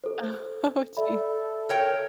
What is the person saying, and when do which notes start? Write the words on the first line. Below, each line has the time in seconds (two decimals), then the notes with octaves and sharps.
Oh, gee.
0.04 A4 C5
0.97 A4 D5 E5 B5
1.69 A#4 C#5 G5